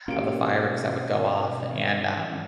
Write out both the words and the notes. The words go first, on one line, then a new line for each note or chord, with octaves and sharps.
of the fireworks that would go off, and, um
B2 A#3 C#4 F4 G4 D7